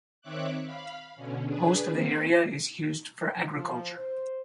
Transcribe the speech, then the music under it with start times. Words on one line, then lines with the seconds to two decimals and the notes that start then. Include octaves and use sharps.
Most of the area is used for agriculture.
0.21 D#3 C4 C#5 E5 D6 F#6
0.64 F5 B5
1.16 B2 D3 C#4
1.44 D4 G#4 B4
1.88 D#3 A#3 C4
3.53 F3
3.96 C5